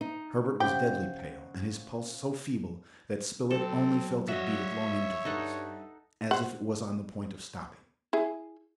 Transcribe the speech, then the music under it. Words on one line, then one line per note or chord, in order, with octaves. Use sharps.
Herbert was deadly pale, and his pulse so feeble that Spilett only felt it beat at long intervals, as if it was on the point of stopping.
D#4
C#3 G4 C5 F#5 G5
F#3 C4 A4
F#4 C#5 D#5 E5
G2 D#4 A4 F#5
C5 F#5
E4 G#4